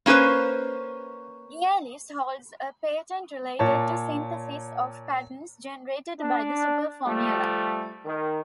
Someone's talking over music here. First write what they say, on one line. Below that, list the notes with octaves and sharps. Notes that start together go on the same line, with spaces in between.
Gielis holds a patent related to the synthesis of patterns generated by the superformula.
A#3 C#4 F#4 B4 C5
A#2 C#5 A5
D4
F3 G3 A3
D#3